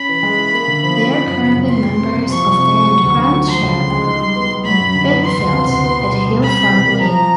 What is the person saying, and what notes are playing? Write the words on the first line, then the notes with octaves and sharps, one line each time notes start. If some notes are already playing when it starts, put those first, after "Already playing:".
They are currently members of the and groundshare with Binfield at Hill Farm Lane.
Already playing: C#4 B5
E3
G#3
E4
A#3
D3
F3
C#4
F3
F#2
C#3
F#2
E3 C6
C2
C3
C2
F3 C#6
C2
C3
A3
F#3
D2
D3
A3
F3 C6
C#2
C#3
G#3
D#4
G3
B3
G3
F#3 B5
F#2
D3
B3
E3 C6
D2
C3
D2
B3
B2
G3
B2
G3 B5
C3
E3
A#3
F3 A#5